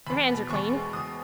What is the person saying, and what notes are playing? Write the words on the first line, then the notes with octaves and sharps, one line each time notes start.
Your hands are clean.
E2 B5
B2
E2 C#6
G#3
E2 D#6